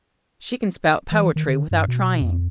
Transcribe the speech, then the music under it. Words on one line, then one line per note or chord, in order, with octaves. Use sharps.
"She can spout poetry without trying."
E3
D#3
D3
G2
B2
F2